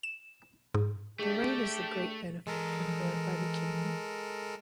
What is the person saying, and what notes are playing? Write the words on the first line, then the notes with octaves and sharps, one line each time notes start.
The rain is the great benefit conferred by the king.
E7
G#2
A3 D4 G4 G#4
E3 G#3 A4 A#4 A#5